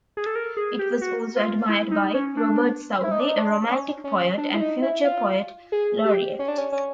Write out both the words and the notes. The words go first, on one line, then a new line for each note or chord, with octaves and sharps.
It was also admired by Robert Southey, a Romantic poet and future poet laureate.
G#4
A4
A#4
G#4
G4
F#4
F4
E4
D#4
C#4
D4
E4
D#4
D4
D#4
D4
C#4
C#4
D4
E4
D#4
E4
F4
G#4
G4
C#4
D4
C#4
C#4